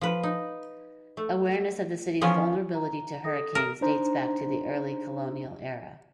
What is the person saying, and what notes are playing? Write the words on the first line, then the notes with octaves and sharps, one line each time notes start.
Awareness of the city's vulnerability to hurricanes dates back to the early Colonial era.
F3 B4
D#4
A3
E3 F3 B3 C#4 C#5
A#5
A4 D#6 A#6
A#4
D4 D#4 C5 A#5